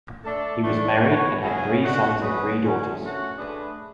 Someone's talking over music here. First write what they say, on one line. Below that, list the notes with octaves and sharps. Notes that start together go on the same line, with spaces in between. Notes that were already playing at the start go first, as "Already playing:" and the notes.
He was married and had three sons and three daughters.
A3 D4 A4
E3 A3 D4
E3 B3 F#4 C#5
C#3 F#3 C#4 E4 G#4
B2 A3 D4 F#4
F#3 C#4 G#4 B4
D3 F#3 C#4
A3 C#4 F#4
A3 D4 G#4 B4